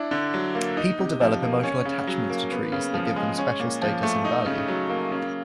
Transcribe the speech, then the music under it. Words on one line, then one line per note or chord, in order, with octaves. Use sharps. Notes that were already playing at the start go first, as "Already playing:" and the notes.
People develop emotional attachments to trees that give them special status and value.
Already playing: D4 E4
D3
F#3
A#3
D#4
C3
F3
A#3
C#4
C#3
F#3
A#3
B3
C#3
F3
G#3
C#4
A#2
F3
A3
D#4
C#3
F#3
A#3
C#3